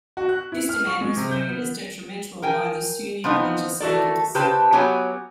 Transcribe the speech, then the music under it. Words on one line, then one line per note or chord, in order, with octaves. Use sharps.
This demand was viewed as detrimental by the Sunni religious leaders.
F#4
F#6
E4
F6
C#6
G#3
C3
G6
B3
A#4 G5 G#5
F3 B3 C4 D#4
A3 F#4 A4 D5
C#3 G4 B4 C5 A5
F#3 B3 G4 C#5 G#5